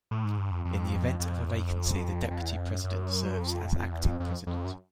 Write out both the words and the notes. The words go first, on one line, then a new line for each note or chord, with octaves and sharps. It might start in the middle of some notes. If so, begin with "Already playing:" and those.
In the event of a vacancy the Deputy President serves as Acting President.
A2
G#2
G2
F2
F2
F2
E2
F#2
F2
F2
E2
F2
F#2
F#2
F2
E2
F2
F2
F2
F#2